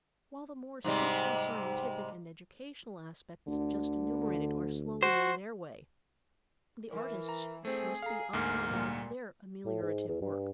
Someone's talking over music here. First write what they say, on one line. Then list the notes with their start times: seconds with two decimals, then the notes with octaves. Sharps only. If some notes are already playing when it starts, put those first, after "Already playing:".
While the more stately scientific and educational aspects just enumerated are slowly on their way, the artists must be up and about their ameliorative work.
0.84 G#2 C3 G3
3.48 D2 D3
5.03 F#4 C5
6.91 E3 A#4
7.29 A#5
7.65 A3 C4 G#4 C5
8.02 A4 F5 A#5
8.33 D2 G#2 A#3 F6
8.68 A#2 G3
9.65 A2
9.82 G#2
10.08 E2
10.22 G2